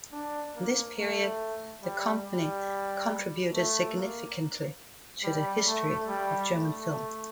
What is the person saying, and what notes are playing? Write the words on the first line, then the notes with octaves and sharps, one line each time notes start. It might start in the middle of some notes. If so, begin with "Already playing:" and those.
In this period, the company contributed significantly to the history of German film.
D4
A#3
A3
G3
G3
A3
A#3
G3
A3
G3
A3